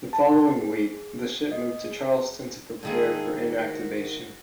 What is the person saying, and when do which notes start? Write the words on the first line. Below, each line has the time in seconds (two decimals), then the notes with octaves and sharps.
The following week, the ship moved to Charleston to prepare for inactivation.
0.13 A5
0.60 G#4
1.52 D#5
1.84 G#4
2.83 G#2 D#3 A#3 G#4 A4
3.40 F#4